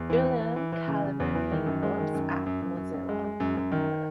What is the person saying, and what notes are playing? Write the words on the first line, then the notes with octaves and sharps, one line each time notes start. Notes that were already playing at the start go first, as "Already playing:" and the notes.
Julian currently works at Mozilla.
Already playing: E2
E3
E3
E3
E3
E3
C#3
C#3
E2
E3
D#3
F#2
G#3
D#3
F#2
F#2
F#2
F#2
F#2
F#2
G#3
G#3
F#2
F#2
D#3